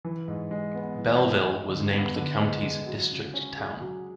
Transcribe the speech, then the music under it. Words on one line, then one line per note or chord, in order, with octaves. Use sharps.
Belleville was named the county's District Town.
E3
G#2
G#3
B3
E3
G#2
G#3
D3
B3
D3
G#3
D3
F#3
C#3
C#4
G#4
F#3